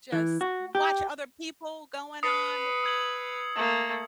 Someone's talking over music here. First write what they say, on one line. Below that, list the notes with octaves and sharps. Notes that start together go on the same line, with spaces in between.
just watch other people going on wi
E3
F#4
G4
B4 D#6 C7 C#7
E6 G#6 F#7
A3 A#3